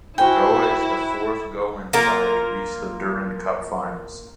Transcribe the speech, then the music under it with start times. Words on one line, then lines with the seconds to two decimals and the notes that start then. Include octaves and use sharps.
Goa is the fourth Goan side to reach the Durand Cup finals.
0.18 E4 F#4 C5 G5 G#5
1.93 A#3 F4 A#4